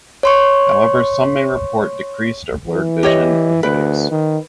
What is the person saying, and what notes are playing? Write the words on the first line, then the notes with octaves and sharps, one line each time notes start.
However, some may report decreased or blurred vision, and headaches.
C#5 C6 C#6
E3
G4 C#5 D#5
D2 B4
D#3